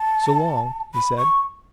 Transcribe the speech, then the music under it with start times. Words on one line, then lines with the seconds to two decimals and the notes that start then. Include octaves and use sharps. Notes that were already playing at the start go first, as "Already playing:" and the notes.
"So long," he said.
Already playing: A5
0.94 B5
1.17 C#6